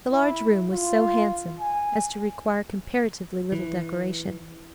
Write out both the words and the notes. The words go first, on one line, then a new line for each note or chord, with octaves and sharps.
The large room was so handsome as to require comparatively little decoration.
E4
F4
G#5
E3